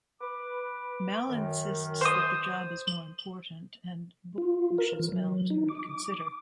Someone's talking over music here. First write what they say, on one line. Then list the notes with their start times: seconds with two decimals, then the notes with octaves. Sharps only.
Mal insists that the job is more important, and Book pushes Mal to reconsider.
0.21 B4 D6
1.29 F#2 D#3
2.01 C5 D#6
4.38 F4
4.78 A#4
4.99 E3
5.12 F#3
5.50 D#4
5.69 D6